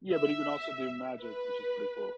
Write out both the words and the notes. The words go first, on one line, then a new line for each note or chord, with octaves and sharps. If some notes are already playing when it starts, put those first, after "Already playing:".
Yeah, but he can also do magic, which is pretty cool.
E5
B4